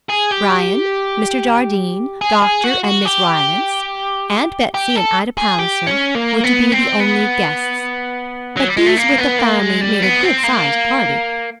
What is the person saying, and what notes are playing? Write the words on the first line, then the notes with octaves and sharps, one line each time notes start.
Brian, Mr. Jardine Dr. and Miss Rylance, Aunt Betsy, and Ida Palliser were to be the only guests; but these with the family made a good sized party.
G#4
G4
G#4
G#4
F#4
F#4
G4
G4
A4
G#4
G4
C#4
A#3
B3
C4
B3
F#3
G3
G#3
A3
A#3
B3
A#3
G#3
G3
B3
C4
A#3